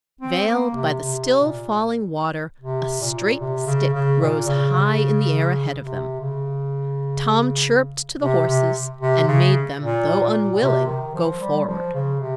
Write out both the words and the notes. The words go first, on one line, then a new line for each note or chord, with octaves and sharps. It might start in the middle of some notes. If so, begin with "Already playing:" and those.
Veiled by the still falling water a straight stick rose high in the air ahead of them. Tom chirruped to the horses and made them, though unwilling, go forward.
C4
A#3
C3
C3
A#2
C3
A#2
C3
C#3
C#3
A#2
C#3
C#3
C3
C#3
C3
C3
C3
C#3
A#2
A#2
A#2
C3
D#3
F3
G3
F3
C#3
C3